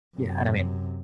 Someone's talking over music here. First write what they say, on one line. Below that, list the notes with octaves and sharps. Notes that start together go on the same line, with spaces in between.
Yeah, I don't mean
F#2 C3